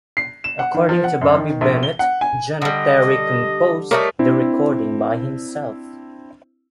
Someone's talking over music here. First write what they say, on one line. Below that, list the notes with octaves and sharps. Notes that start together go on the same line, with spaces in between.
According to Bobby Bennett, Johnny Terry composed the recording by himself.
C7
E7
F#5
D#3
F3
F#5
F#2
D#3
A#1
G7
F#5
G#5
D3 G3 D#5
G3 A3 D#4 A#4 C#5
C4 D4 E4